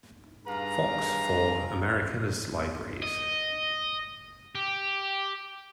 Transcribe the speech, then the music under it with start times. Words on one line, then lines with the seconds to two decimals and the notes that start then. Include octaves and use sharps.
Fox for America's Libraries.
0.47 G2 G#4 B4 F5 A#5
3.02 D#5
4.55 G4